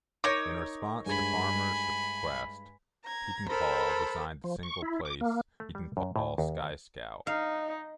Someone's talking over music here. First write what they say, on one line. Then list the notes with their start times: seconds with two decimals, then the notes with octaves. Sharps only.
In response to Farmer's request, Pietenpol designed the single-place Pietenpol Sky Scout.
0.24 D#4 A#4 C#5 D6 A#6
1.06 G2 G#3 G#5 B5 G#6
3.04 A#5 G#6
3.49 A4 A#4 C5 B5
4.44 F3
4.63 C#6
4.82 E4
5.05 D6
5.21 A#3
5.60 A3
5.75 G3
5.97 F#2
6.16 A2
6.38 D#2
7.27 D#4 F5